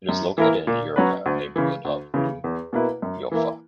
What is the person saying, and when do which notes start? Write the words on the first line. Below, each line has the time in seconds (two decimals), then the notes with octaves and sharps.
It is located in Yerevan neighbourhood of New Julfa.
0.09 F#2
0.38 E3 A#3 E4 A#4
0.67 A#2
0.96 F#3 C#4 F#4 B4
1.26 D2
1.56 C#3 E3
1.85 D2
2.14 C#3 E3
2.44 E2
2.73 B2 A#3 E4 B4
3.02 F#2
3.32 E3 A#3 E4